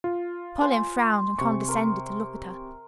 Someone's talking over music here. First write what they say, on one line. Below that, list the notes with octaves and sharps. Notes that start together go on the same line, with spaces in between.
Colin frowned and condescended to look at her.
F4
C5 G#5
C3 C#6
A#4 C5